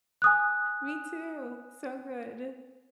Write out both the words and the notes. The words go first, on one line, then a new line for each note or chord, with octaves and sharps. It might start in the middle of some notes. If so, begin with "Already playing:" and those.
Me too. So good.
G#5 D#6 F#6